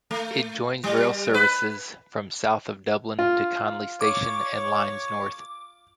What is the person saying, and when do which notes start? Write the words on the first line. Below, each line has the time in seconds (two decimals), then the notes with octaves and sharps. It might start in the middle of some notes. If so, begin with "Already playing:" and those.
It joins rail services from south of Dublin to Connolly Station and lines north.
0.11 A3
0.84 G3
1.34 B4
3.19 F4
4.01 C#5 D6